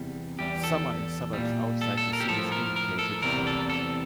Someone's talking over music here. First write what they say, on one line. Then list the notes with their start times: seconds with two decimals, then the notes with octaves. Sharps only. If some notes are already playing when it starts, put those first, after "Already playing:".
Some are in suburbs outside the cities indicated.
Already playing: E2 C3 G3
0.39 E2 E3 G3 G4
0.64 A4
1.33 A#2 G3
1.81 A4
1.97 A4
2.13 A#4
2.20 G4
2.29 A2 F3 A4
2.52 A#4
2.76 A#4
2.99 A4
3.22 E2 C3 E3 G3 A#4
3.47 A4
3.70 A4